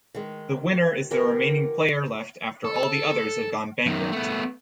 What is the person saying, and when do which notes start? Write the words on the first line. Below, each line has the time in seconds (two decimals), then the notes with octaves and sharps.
The winner is the remaining player left after all the others have gone bankrupt.
0.15 D#3 G#3
1.10 D3 E3 G4 A#4 F#5
2.65 A4
3.86 F#2 D#3
4.12 A3 B3